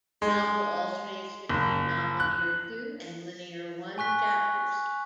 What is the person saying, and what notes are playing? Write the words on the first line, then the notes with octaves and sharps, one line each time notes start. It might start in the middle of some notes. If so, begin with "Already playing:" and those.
The novel alternates between non-linear "Two" and linear "One" chapters.
G#3
F#1
F#6
G#5 C#6 F#6 B6